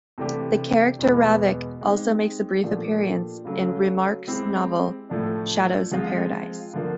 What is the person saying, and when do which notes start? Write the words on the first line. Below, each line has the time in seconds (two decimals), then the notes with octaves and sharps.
The character Ravic also makes a brief appearance in Remarque's novel, "Shadows in Paradise".
0.18 C3 E3 A3 D4 G4
0.99 E2 B2 G#3 B3 E4
1.81 G#3 C4 D#4 G4
2.63 A#2 F3 A3 D4 G4
3.45 C#3 F#3 A3 C#4
4.27 G#3 C4 E4 G4
5.09 A2 F3 A3 D4
5.91 F3 G#3 C4 F4
6.73 D3 F3 A#3